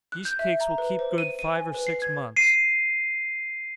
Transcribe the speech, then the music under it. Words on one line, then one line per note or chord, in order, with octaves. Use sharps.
Yeast cakes will keep good five or six months.
F#6
G6
E5
A#5
B4
C5
D#7
D#7
G#5
B4
C7
G#6
C7 D#7